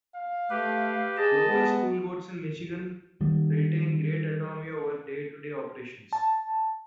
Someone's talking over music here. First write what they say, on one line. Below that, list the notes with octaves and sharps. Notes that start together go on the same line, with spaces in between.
Local school boards in Michigan retain great autonomy over day-to-day operations.
F5
A3 G4 B4
G#4 D#5 A5
G#3 B3
D#3 G3
A5